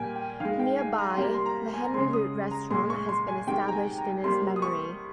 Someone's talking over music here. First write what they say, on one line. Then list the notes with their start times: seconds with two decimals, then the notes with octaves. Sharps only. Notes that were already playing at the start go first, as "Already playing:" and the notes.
Nearby, The Henry Root restaurant has been established in his memory.
Already playing: A#2 G3 A#3 G5 G#5
0.15 G5
0.40 D#3 G#3 F5
0.59 G5
0.78 G#5
0.98 A#5
1.10 C6
1.17 C3 G3 A#3 A#5
1.34 C6
1.46 A#5
1.74 G#5
1.84 A#5
1.94 C#3 G#3 C6
2.13 D#6
2.51 A#5
2.70 A#2 G#3 C6
2.90 C#6
3.09 C6
3.28 G#5
3.47 C3 D#3 G#3 G5
3.68 A#5
3.73 G#5
3.98 A#5
4.24 C3 G3 A#3 C6
4.56 D#6
4.62 C#6